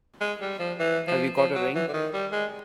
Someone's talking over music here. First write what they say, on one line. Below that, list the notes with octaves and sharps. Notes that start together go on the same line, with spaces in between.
Have you got a ring?
G#3
G3
F3
E3
F3
F3
F#3
E3
D3
D#3
G3
G#3